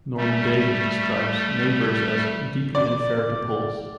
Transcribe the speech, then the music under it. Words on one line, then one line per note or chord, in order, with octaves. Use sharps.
Norman Davies describes "Neighbors" as "deeply unfair to Poles".
G3 A3
D5